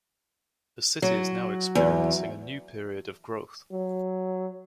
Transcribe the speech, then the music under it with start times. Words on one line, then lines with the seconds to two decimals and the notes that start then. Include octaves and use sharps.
The city is now experiencing a new period of growth.
1.02 F#3
1.75 E2
3.72 F#3